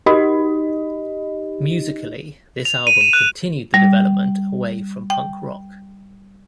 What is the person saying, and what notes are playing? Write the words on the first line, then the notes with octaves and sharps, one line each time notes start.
Musically this album continued the development away from punk rock.
D#4 G4 D#5
F7
D#7
E7
F#6
G3
G5